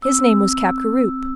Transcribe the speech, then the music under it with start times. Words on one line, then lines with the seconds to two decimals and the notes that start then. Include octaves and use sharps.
His name was Capgaroupe.
0.02 C4 E6